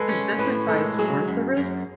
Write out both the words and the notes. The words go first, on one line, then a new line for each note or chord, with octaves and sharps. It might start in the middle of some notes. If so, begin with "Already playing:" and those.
Is this advice worth the risk?
Already playing: G#3 A4 B4
C#4
A2 B4
G#3 A4
F#3 G#4
F#2
F#2